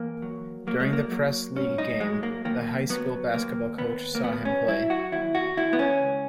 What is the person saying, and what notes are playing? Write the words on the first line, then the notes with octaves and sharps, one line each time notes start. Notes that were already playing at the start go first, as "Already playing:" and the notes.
During a Press League game, the high school basketball coach saw him play.
Already playing: E2 A#3
F#3
F#3 A#3
G#3
A#3
F#3
G#2 C#4
D#4
F#3 G#3
A#3
D#3 A#3
F#3 B3
D#2 A#3
D#2 B3
A#3
F#3 B3
C#4
F#3 E4
F#4
D#2 E4
F#4
D#2 E4
B3
C#4
C#2